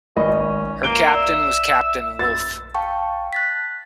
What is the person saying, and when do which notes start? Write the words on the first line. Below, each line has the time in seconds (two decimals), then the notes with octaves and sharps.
Her captain was Captain Wulff.
0.16 G#1 C#4 D#5 B5
0.83 A#3 D7 G7
1.14 D5 E5
2.19 E6 A6
2.74 F5 G5 A5 C#6
3.33 F#6 A6 B6